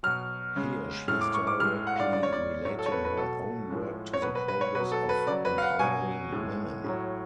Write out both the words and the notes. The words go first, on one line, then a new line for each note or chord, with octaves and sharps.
Here she is directly relating her own work to the progress of empowering women.
B2 F#3 F6
C#3 G#3
A2 G#3 F6
D6
C#6
D6
A2 G#3 F6
F#5
F5
D5
C#3 G#3 D5
C#5
D5
A2 F#3 C#5
A4
C#5
B4
B4
B2 F#3 A4
A2 F3 G#3
C#5
B2 F#3 B4
B4
B4
C#5
B2 F#3 B4
A4
B4
C#3 F#3 D5
B4
F5
F#5
B2 F#3 G#5
A2 G#3
A2 F#3